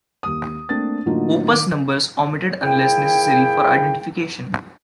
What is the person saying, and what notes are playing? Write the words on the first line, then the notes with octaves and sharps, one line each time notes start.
Opus numbers omitted unless necessary for identification.
D#2 D#6
A3 A#3 C4 D4 A6
A2 D3 F3 F#3 A#3 D#4
D#3 D6
G#2 A#3 E4 G#4 G5